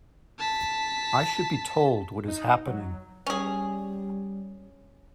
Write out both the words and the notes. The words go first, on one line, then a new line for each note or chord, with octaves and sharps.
I should be told what is happening.
A5 B6
D#4
F#3
G3 C#4 G#4